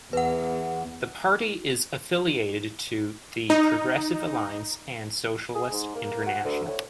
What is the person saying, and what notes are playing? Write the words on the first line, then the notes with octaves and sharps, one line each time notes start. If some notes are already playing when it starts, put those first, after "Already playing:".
The party is affiliated to the Progressive Alliance and Socialist International.
E2 B4 F#5
D#4
G#4
G#2
A#3
F#4
D2
A2